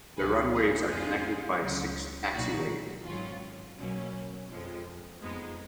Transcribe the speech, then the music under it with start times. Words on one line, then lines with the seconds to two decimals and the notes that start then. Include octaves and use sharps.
The runways are connected by six taxiways.
0.17 C#2 B2 F#3 G#4 B4
0.53 F4 G#4
0.90 F2 C#3 G#3 F4 G#4
1.62 C#2 C#3 F#3
2.34 B1 A#2 F#3 D#4 F#4
3.05 G#1 G#2 F#3 C#4 F4
3.77 B1 B2 F#3 A#3 C#4
4.50 F2 F3 G#3
5.22 F2 F3 G#3 B3 D#4